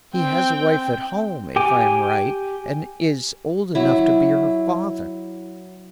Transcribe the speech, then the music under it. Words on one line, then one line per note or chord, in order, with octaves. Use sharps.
He has a wife at home, if I am right, and is old enough to be her father.
C4 G5
G4 G5 G#5 D6
F#3 E4